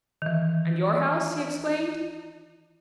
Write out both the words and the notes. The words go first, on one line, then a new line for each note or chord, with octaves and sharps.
"And your house?" he exclaimed.
D#3 E3